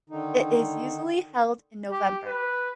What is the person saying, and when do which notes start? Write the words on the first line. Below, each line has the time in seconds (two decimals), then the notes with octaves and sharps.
It is usually held in November.
0.10 D3 D#3 D#4
1.91 G4
2.26 B4